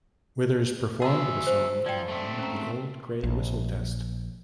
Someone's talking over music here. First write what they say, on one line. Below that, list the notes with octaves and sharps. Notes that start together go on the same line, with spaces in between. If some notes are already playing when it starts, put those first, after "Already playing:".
Withers performed the song on "The Old Grey Whistle Test".
F#4 G#4 D#5 E5 E6
C5
F3 D5 G5
A3 C4
C#4 A#5
A#1